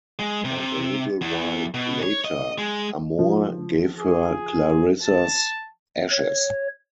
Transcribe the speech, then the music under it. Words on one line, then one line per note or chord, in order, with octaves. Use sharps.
And a little while later, Amor gave her Clarissa's ashes.
G#3
C3
C3
E2
B2
C#5
D#5
G#3
F3
G#4
A5
C#5